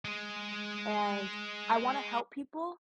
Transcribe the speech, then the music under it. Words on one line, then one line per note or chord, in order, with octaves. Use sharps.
and I wanna help people,
G#3 G#4